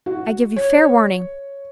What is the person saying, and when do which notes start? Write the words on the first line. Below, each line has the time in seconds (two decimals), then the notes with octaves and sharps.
I give you fair warning.
0.06 F#4
0.56 C#5